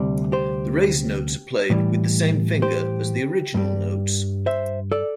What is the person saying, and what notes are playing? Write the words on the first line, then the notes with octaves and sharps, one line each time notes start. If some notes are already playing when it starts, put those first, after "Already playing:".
The raised notes are played with the same finger as the original notes.
Already playing: D2 C3 G3
G4 C5
A2 E3 G3
G4 C5
G2 G3
C5 E5
A4 D5